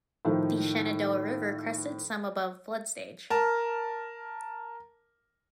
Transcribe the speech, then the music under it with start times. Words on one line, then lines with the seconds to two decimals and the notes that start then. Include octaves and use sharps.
The Shenandoah River crested some above flood stage.
0.25 A2 D#3 F3 A3
3.30 A#4 A5